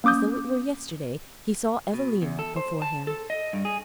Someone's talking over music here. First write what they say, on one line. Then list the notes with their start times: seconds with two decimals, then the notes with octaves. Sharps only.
As though it were yesterday, he saw Evelina before him.
0.04 A#3 C#4 D6 D#6 G6
1.94 B2
2.22 E2
2.39 A4
2.56 C5
2.82 A5
3.07 A4
3.30 D#5
3.53 G2
3.65 G#4